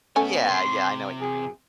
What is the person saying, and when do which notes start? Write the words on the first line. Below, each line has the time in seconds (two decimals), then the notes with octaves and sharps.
Yeah, yeah, I know what you mean.
0.16 B2 A3 B3 C#4 G#5
0.49 C3 C6
1.20 G#4